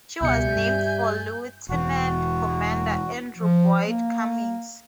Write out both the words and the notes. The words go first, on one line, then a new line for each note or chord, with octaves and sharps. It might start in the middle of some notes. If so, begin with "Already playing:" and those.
She was named for Lieutenant Commander Andrew Boyd Cummings.
C#2 B2 G3 E5 G#5 G6 C#7
G2
E1 E3 F#4
F3
A#3